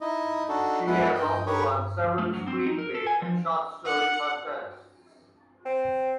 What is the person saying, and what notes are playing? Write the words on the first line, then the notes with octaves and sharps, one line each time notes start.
She has also won several screenplay and short story contests.
D#4 E4 D#5
D4 D#4 F#4 A4
G#3 B3 D4 E4 A4 F#5
D#5 G5
G4 A#4 B4 C#5 C#6 D#6
A3
F#3
C4
D#4
A#4
A4
G#5
F3
F#5
C4